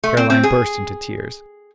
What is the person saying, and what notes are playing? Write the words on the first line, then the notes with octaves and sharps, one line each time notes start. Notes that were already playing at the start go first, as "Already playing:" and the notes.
Caroline burst into tears.
A3
C4
C4
G#4